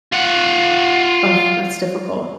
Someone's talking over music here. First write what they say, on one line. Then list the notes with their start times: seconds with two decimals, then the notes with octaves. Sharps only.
Ugh, that's difficult.
0.12 F4 F#5